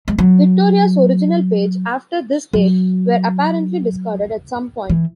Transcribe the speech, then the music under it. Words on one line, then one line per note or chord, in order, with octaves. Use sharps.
Victor's original pages after this date were apparently discarded at some point.
G#3
F#3
F#3
E3